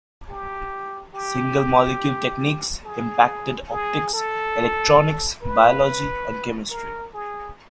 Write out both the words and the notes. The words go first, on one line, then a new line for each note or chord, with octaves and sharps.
Single-molecule techniques impacted optics, electronics, biology, and chemistry.
G4
G4
G#4
G#4
A4
B4
A#4
G#4